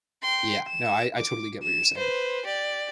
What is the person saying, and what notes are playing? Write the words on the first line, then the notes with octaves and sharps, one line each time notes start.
Yeah, no, I I totally get what you're saying.
G5 C6
E7
D6
E7
B4 C5
G4 D5